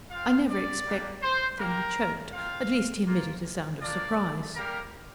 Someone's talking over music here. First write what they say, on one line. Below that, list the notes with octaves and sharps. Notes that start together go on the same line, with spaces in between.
"I never expec--" Then he choked; at least, he emitted a sound of surprise.
C4 F4 F5
D5
G3 A#3 D4
C5
A#3 G4 A#4
C4 F4 F5
A#3 F4
A#3 D4 F4 D5
G3 A#3 G4 A#4